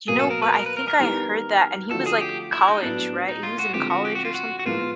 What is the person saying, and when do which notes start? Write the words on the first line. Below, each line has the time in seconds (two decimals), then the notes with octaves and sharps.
You know what? I think I heard that, and he was, like, college, right? He was in college or something.
0.08 B2 F#3 A#3 G#4
0.19 A4
0.30 A#4
0.42 B4
0.53 A#4
0.66 B4
0.77 A#4
0.88 A#4
1.00 E3 G3 B3 D#4
1.91 D3 F3 A3 D4 F#4 A4
2.06 G#4
2.21 G4
2.53 E4
2.68 D#4
2.82 A2 F#3 B3 D4 E4
3.28 D#4
3.43 F4
3.59 F#4
3.74 D3 F3 G#3 C4 G4
3.90 F#4
4.05 G4
4.15 F#4
4.25 F4
4.35 F#4
4.59 F#4
4.66 A2 F3 G#3 B3 F4